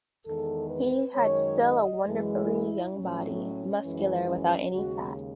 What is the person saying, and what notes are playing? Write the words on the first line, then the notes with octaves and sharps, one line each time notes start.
He had still a wonderfully young body: muscular, without any fat.
E2 D#3 G#3 A4
B4
F#2 D#3 G#3 C#5
D#5
F#2 E3 G#3
E4
A2 F#3 C#4
F#2 E3 G#3
C#4
D#2 C#3 G#3 F#4